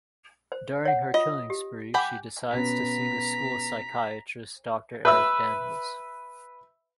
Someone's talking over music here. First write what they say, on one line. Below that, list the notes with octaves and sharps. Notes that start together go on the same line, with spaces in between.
During her killing spree, she decides to see the school psychiatrist, Doctor Eric Daniels.
C5
C#5 F#5
F4 D#5
G4
G4 F#5 G#5 B5 D6
B2 B3 C#4 A#5 B6
B4 E5 E6